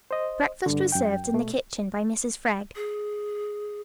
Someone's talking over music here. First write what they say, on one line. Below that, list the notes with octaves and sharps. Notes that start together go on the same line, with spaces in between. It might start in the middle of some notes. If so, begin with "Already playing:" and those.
Breakfast was served in the kitchen by Mrs. Freg.
C5 D#5
G2 D3
F#2 G5
B2 A3
G#4